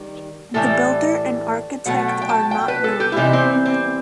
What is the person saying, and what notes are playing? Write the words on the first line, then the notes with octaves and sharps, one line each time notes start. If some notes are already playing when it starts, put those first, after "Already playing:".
The builder and architect are not known.
Already playing: D#3 G3
A2 E3 G3 A4
B2 F#3 A3 F#5
G5
G5
A5
G5
B4
A4
G4
E4
C3 E3 G3 D#4
C4
C4